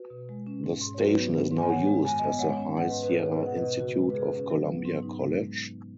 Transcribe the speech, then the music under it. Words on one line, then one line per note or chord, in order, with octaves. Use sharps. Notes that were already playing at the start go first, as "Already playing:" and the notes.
The station is now used as the High Sierra Institute of Columbia College?
Already playing: F#4 B4
B2
G#3
C#4
G#2
G#2
C#5
F#3 F#4 B4
B3
G#2
G#2
G#5
D#3 C#5 F#5
G#3
F#2 G#5
B3 D#5 G#5
G#3 C#5 F#5
C#4
G#2 F#5
B4 D#5
G#2
B4
B3 G#4 C#5
D#4
B4 D#5
B2 F#5
B4 D#5
B2
C#3 F#4
G#3
B4
F#2 G#4
C#4
F#3
B3
G#2
D#4
G#3